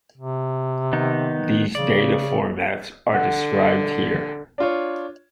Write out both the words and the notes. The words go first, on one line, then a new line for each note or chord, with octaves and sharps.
These data formats are described here.
C3
D#3 B3 D#4
C#3 D5
D3 F#5
D4 F4 C#5